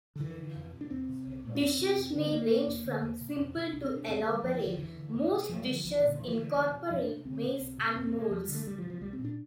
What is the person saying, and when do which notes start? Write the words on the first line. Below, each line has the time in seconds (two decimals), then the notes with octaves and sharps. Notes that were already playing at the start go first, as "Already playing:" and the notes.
Dishes may range from simple to elaborate; most dishes incorporate maize and moles.
0.16 D3
0.20 F2 E3
0.38 D3
0.56 F2
0.73 C3
0.81 D4
0.90 E2 C4
1.09 C3
1.26 C2
1.44 A#2
1.55 D4
1.61 E2 C4
1.79 C3
1.97 F2
2.15 D3
2.26 C4
2.32 D2 A#3
2.49 C3
2.67 E2
2.85 D3
3.03 E2
3.20 C3
3.38 F2
3.56 C3
3.73 C2 D4
3.84 C4
3.90 C3
3.96 D4
4.08 E2 C4
4.20 A3
4.26 D3
4.32 G3
4.43 E2 F3
4.55 E3
4.62 D3
4.67 F3
4.78 E2 E3
4.96 D3
5.13 F2
5.32 C3
5.49 F2 F3
5.61 G3
5.67 D3
5.72 F3
5.84 C2 F3
5.96 E3
6.02 A#2
6.08 D3
6.19 E2 E3
6.27 F3
6.35 D3 E3
6.54 D2
6.72 C3
6.90 F2 F3
7.02 D4
7.08 C3
7.25 D2 C4
7.43 C3
7.60 C2
7.78 C3
7.96 F2 C4
8.07 C4
8.13 C3
8.19 A#3
8.31 E2 F3
8.43 G3
8.48 D3
8.55 A3
8.66 D2 G3
8.78 F3
8.84 C3
8.90 F3
9.01 C2 G3
9.13 C4
9.19 A#2
9.25 D4